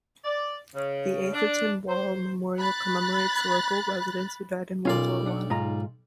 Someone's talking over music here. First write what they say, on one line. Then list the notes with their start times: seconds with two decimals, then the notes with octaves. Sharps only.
The Atherton War Memorial commemorates local residents who died in World War One.
0.25 D5
0.75 C#3
1.33 D4
1.88 C5
2.58 B5 F#6 A6
4.85 B1 C#4 F4 A#4 D5
5.26 D4 F#5
5.50 G#2 F4 A#5